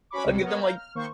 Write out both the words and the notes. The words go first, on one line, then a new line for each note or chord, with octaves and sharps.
I'll give them like
C#4 F#4 C#5 B5 C#6 D6
C#2 C3
B3 A#4 C#5 D#5
F5 A#5 G6
F6
D#3 A#3 C5 C#6